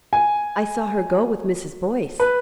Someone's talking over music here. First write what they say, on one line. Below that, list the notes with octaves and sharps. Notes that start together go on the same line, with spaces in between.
"I saw her go with Mrs. Boyce."
G#5
B4